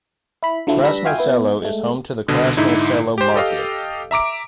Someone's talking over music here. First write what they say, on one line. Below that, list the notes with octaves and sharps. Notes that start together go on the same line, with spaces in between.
Krasno Selo is home to the Krasno Selo market.
E4 B5
D3 F3 F#3 A3 E4
G3 D4 B4 E6 A#6 B6
F4 F#4 E5 F5 G5 G#5
B3 E4
G#3 A3
C2 B2 D3
G#2 D3 D#4 E4
G4 C5
G4 A4 D#5 F5
E5 A#5 D6 D7